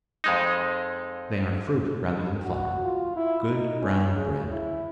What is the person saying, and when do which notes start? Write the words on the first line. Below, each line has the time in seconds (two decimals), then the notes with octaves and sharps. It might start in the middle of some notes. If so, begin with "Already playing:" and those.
They are fruit rather than flower--good brown bread.
0.24 F2 G#3 D#4
2.44 F#4
2.84 F4
3.16 E4
3.48 D#4
3.82 C#4
4.15 C#3
4.51 E4